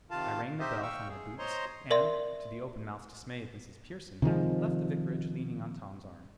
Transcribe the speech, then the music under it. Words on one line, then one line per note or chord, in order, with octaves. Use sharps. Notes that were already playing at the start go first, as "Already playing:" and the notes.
I rang the bell for my boots, and, to the open-mouthed dismay of Mrs Pearson, left the vicarage leaning on Tom's arm.
C3 D#3 F4 F5 A5
D#4 G4 C5 D#5 E5
F5 G5 C#6 E6
G#4
C5 C#5 D#5 A#5 C6
A#4 D5 E5 C6
C3 D#3 F3 G#3